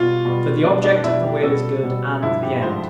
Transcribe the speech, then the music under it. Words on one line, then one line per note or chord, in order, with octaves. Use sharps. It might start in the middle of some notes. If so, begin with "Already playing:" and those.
For the object of the will is good and the end.
Already playing: B2 G3 F4
B2 G3
B2 G3 D4
D4
D4
B2 G3 E4
G4
B2 G3 A4
B2 G3
G2 D3 F3 E4
G4
D3 F3 C5